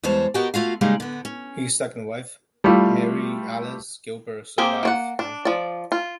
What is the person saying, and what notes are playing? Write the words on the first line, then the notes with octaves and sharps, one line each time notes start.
His second wife, Mary Alice Gilbert, survived him.
E2 G3 G#3 C5 C#5 A5
B3 F#4 G4 A#4 D#5 G5
A3 F4 F#4 F5
C#3 G3 G#3 A#3 D#4
D3 B3
C#4
G3 A3 E4 F4 G4
A#3 C4 G4 G#4
A#3 C#5 F#5
D4
F3 D5
F4